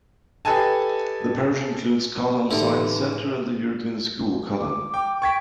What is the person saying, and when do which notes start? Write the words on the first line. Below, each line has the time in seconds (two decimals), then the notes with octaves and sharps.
The parish includes Culham Science Centre and the European School, Culham.
0.45 G4 A4 B4 D#5 G#5 A5
2.51 A2 D3 E3 A3 D#4 G4 C6
4.59 D6
4.94 G5
5.22 G5 C#6 G#6 B6